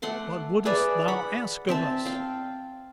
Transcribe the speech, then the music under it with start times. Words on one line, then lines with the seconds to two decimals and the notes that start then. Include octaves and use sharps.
'What wouldst thou ask of us?
0.02 A3 F#5 C6 D6
0.65 G#4 B4 D5 E5
1.08 F#5 B5
1.69 C4 E5 A5
2.06 F5 G5